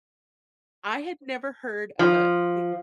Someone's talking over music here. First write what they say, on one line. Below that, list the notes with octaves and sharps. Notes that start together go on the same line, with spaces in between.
I had never heard of a big
F3